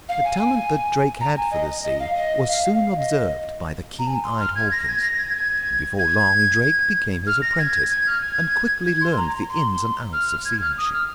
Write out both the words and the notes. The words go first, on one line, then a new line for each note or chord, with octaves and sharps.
The talent that Drake had for the sea was soon observed by the keen-eyed Hawkins, and before long Drake became his apprentice, and quickly learned the ins and outs of seamanship.
F5
G#5
A#5
G#5
D#5
D#5
F5
D#5
F5
F5
F5
D#5
A#5
G#5
C6
F6
G#6
A#6
G#6
A#6
G#6
G#6
G#6
F6
A#6
G#6
G#6
F6
G#6
G#6
C6
A#5
C6
F6
G#6
F6
D#6
F6